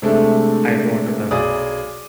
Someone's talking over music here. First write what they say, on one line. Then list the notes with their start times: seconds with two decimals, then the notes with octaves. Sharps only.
I bow to them.
0.02 C3 G#3 A3 D4 A4
1.31 B1 G#4 D5 D6 D#6